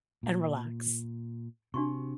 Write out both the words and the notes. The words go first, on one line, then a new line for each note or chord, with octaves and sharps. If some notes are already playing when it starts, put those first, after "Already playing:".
and relax."
A#2
C3 D4 F#4 C#6